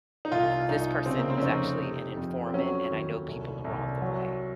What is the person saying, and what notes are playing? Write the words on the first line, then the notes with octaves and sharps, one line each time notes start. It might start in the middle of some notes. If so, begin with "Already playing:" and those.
this person is actually an informant, and I know people are on the way."
D#4
C2 F4
C2 D#4
C#3 C4
A#3
C4
C#4
F2 D#4
C3
F2
C4
F#3 C#4
D#2
C2
C2
F#3